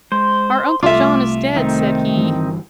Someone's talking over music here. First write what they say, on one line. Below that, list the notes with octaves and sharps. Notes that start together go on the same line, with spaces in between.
"Our uncle John is dead," said he.
G#3 C5
C2 A3 F4 E5 D6
D#3 C4 D#4
G1 E3 G3